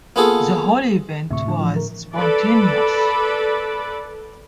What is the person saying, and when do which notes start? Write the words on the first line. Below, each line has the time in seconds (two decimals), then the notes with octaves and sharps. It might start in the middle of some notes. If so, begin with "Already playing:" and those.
The whole event was spontaneous.
0.16 A#3 B3 F4 G#4 A4
1.30 D2 A2 C3 E5 C#6
1.45 A2 D3
1.59 E3 F3
1.76 A#4
2.14 A4 B4 D5